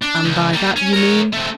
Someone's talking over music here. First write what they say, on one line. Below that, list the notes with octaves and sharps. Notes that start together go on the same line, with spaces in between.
"And by that you mean?"
D4
C#2
G3 A#3
C#4
A#4 C#5
A3 C4